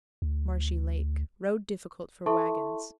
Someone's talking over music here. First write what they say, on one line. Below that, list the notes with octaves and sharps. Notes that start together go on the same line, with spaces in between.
Marshy Lake.--Road difficult for wagons.
D2
E4 A4 E5 A5 C6 C#6